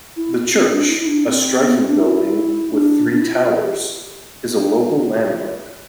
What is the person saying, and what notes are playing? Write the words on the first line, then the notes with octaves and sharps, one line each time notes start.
The church, a striking building with three towers, is a local landmark.
E4
C4
D4
E4
E4
D4
C4
B3
C4
D4
E4
D4
D4
E4
F4
F4
A4
G4